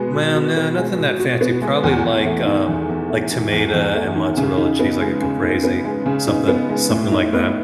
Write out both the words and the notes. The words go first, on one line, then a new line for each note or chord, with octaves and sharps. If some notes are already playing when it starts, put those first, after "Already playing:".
Well, no, nothing that fancy, probably like, um like, tomato and mozzarella cheese, like a Caprese something something like that,
Already playing: B2 G#3 B3
B2
F#4
B3
G#3
B2
F#4
B3
G#3
E2
E2
A3
D#3
E2
E2
A3
D#3
E2
E2
A3
D#3
C#3
D#4
B3
G#3
C#3
D#4
B3
G#3
C#3
D#4
B3
G#3
A2
D#4
B3